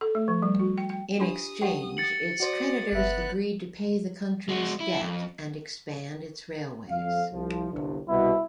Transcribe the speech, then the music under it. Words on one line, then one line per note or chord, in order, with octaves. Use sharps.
In exchange, its creditors agreed to pay the country's debt and expand its railways.
A4
A3
F3
G3
F#4
G5
G5
D4 F4 G4 D#6
G4 F#5 G5
A6 C#7 F#7
F#4 C5 D5 D#6
G1 B3 E5 F#6
G#3 F#4
E4
F2
F2 F5
C2 F3
G1 C2 G2
C2 B2 E4